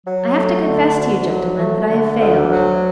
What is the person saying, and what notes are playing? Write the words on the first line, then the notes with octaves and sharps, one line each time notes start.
I have to confess to you, gentlemen, that I have failed.'
F#3
A3
D3
D2
F#3
A3
D3
D2
F#3